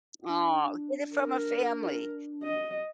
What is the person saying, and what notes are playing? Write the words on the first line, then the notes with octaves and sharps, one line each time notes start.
Aw, get it from a family.
D4
A#4
D#5